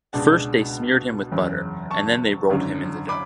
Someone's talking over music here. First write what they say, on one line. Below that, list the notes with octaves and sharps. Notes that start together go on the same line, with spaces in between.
First they smeared him with butter, and then they rolled him in the dough.
C#2 B2 G#3 D4 F#5 A5
F#1 E2 C#3
A5 C#6
G#1 F#2 D3
B5 D6